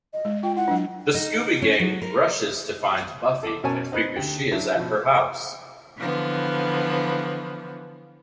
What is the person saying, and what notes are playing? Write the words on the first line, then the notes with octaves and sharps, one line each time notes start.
The Scooby Gang rushes to find Buffy and figures she is at her house.
D#5
G#3
F4 G5
E4 F#5
F#3 D4
D#4
C#4
F#3
A#4
A4 D6
F#2 B2 A#4 C#5 G#5 A5
C4 D#4 B4 F#6
D2 G4
F#3 D4 E4
B2 F3
D3 E3 F3 B3